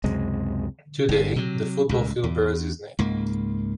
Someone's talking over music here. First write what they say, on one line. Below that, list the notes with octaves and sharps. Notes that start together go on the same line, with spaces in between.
Today, the football field bears his name.
C#2 F#2 C3 G#3
G1 C3
C3 F#3
C#2 A2
E2
C#2 G#2 A#3